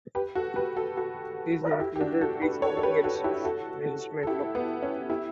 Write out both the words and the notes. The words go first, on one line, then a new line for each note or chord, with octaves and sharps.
These included reforming resource management law.
G4 B4
F#4 A4
G4 B4
F#4 A4
F#4 A4
E4 G4
G4
D4 F#4
F#4 A4
G4 B4
A4 C#5
A4
G4 B4
F#4 A4
E4 G4
F#4 A4
A4
E4 G4
B3
C#4
E4 G4